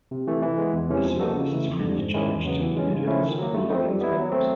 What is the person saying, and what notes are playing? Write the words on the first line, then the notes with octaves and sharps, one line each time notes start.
The service is free of charge to individuals who log in as members.
C3
E3 A3
E3
G#3 B3
E2
C3 E3 G#3 C#4
F3
A#3 D#4 F#4 A4
C#3
E3 A3
F2
D3 G3
G#2
D#3 G#3 C#4 E4
E2
C#3 F#3 B3
E3
G#3 C#4
C#3
F3 A3 C#4 E4
D#3
F#3 A#3
A3
C4 D#4
G3
B3 E4
F#3
A3 C4